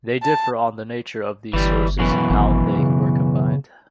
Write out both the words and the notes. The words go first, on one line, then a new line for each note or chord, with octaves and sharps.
They differ on the nature of these sources and how they were combined.
A5
G1 E3 G3
F#2 B2 E3
G#1
C#3